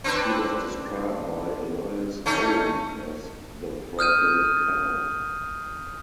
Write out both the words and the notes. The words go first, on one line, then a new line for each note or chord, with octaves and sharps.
She was described by Elias Owen as the "Freckled Cow".
C4 D4 B4
A3 C#4 D#4
D#6 F6 G6 D#7